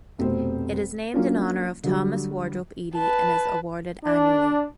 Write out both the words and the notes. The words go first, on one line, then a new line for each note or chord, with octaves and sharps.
It is named in honour of Thomas Wardrope Eadie and is awarded annually.
F1 B2 C4 C5
F#3 A#3 C#4 D4 F4
D3 F#3 G3
B4 A5
D4